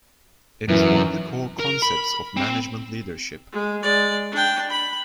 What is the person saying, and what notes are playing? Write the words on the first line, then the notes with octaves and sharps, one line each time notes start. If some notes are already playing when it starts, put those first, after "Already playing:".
It is one of the core concepts of management leadership.
F#2 E3
A#4
B5
C4
G#3
G#3 D5
D4 G5
B5